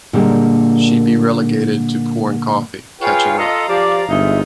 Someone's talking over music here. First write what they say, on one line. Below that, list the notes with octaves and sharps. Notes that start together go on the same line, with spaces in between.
She'd be relegated to pouring coffee, catching up.
A#2 D3 G3 G#3 A#3 G4
F4 G#4 B4 C#5 F5 G5
F4 A4 D#5 F5 A#5
F3 G4 D5
G1 G#3 D#4 F4 E5